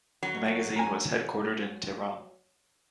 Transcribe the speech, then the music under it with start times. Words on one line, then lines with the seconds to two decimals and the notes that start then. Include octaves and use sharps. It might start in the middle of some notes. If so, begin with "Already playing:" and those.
The magazine was headquartered in Tehran.
0.23 F#3
0.76 G#5 A#5